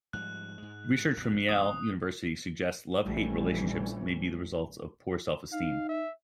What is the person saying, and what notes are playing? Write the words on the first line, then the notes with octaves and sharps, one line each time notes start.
Research from Yale University suggests love-hate relationships may be the result of poor self-esteem.
G#2 F3 G3 F#6
G#2 G#3
A#1 F2 D3
E1 G#3 D#6
A#1 E3 G3 A3 C#4
D#4 F5
E5